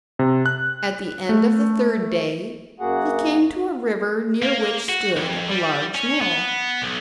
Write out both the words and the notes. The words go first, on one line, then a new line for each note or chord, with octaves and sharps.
At the end of the third day he came to a river near which stood a large mill.
C3
F#6
A3
F#2 A#3 F#4 G#4 F#5
A#3
F#4
F2
G3
C#4
B3
B1